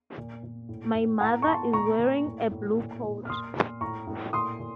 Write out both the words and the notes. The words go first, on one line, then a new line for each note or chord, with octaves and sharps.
My mother is wearing a blue coat.
A#2
A#2
A2
A2
A2 F#5 A#5
C#6
A2 A5 C6
A#2 A#5 C#6
A#2
A2
A2
A#2
A#2
F6
A#2 C6 D#6
A#2
A2 A#5 C#6
A2
A#2 C6 D#6
A#2